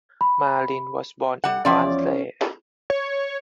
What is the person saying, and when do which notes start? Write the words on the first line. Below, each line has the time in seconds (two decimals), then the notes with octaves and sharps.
Malin was born in Barnsley.
0.21 B5
1.44 G3 F#5
1.65 E2 F3 C#4 D5
2.90 C#5